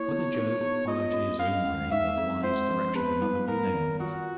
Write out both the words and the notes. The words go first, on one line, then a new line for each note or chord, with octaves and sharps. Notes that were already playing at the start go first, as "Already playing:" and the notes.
Whether Job followed his own brain, or the wise direction of another, we know not.
Already playing: A#3 E4 C#5
B3
D#4
B3
F4 D#5
C#4
C#4 F5
G#3
D#4 E5
C4
G#3 C5
F3
B3 B4
G3
G3 A#4
D#3
F4 F#4